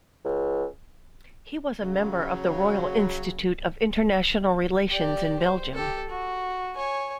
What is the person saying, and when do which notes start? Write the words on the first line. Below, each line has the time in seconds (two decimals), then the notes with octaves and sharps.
He was a member of the Royal Institute of International Relations in Belgium.
0.25 C#2
1.82 C#3 F#3
4.91 G4 D5
5.40 C5
5.74 G4 A4
6.09 F#4
6.75 C#5 G#5